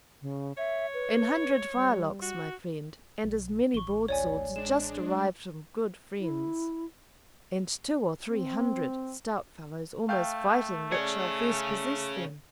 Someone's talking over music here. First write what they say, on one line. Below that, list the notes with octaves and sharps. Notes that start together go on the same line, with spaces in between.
An hundred firelocks, my friend, and as many broadswords, just arrived from good friends; and two or three hundred stout fellows almost fighting which shall first possess them.
C#3
C#5 E5
B4
G3
F#4
B1
A1 C#6 G7
D2 C#5 D5 G#5
G#3 D4 E7
E4
C4
A3 F5 G5 G6
C#4 G#4 D5 G#6 C#7